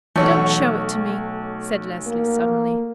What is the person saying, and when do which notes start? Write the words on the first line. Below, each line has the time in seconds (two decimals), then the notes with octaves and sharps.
"Don't show it to me," said Leslie suddenly.
0.16 B1 E3 A3 C#5 F#5 E6
2.07 A#3